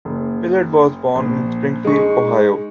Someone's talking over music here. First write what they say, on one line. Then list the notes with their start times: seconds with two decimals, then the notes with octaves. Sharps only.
Pillard was born in Springfield, Ohio.
0.05 F#1
1.15 A#1
1.85 G#3 D#4 C#6